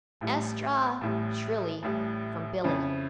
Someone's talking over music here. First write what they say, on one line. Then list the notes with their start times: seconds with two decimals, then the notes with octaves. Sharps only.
"Estra!" shrilly, from Billie.
0.21 A1 A2 G3
1.01 A1 A2 G3
1.83 A1 A2 G3
2.64 F2 C#3 F3 C#4 E4